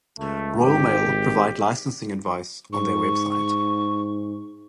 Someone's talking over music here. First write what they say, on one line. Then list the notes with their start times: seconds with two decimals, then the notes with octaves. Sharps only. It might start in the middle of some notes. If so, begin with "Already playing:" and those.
Royal Mail provide licensing advice on their website.
0.19 C#2 A3
0.59 G#1 G4
2.72 G#2 C#6